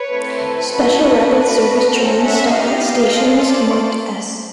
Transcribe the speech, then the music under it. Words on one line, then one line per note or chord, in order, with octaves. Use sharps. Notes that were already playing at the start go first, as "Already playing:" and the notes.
Special Rapid Service trains stop at stations marked "S".
Already playing: B4 C#5
A3 C4 E4 A4
B4
C#4 F#4 A4 B4
B4
D4 F#4 A4
C#4 F#4 A4 A#4 C5
E5 F#5
B3 D#4 G4 D#5 F5
C#4 F4 A4
C5 D5